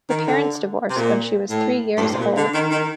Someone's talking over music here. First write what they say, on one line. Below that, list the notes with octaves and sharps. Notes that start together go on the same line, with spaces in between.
Her parents divorced when she was three years old.
D#3
D3
C3
A#2
A2
G2
A2
C3
A#2
D3
D#3
D#3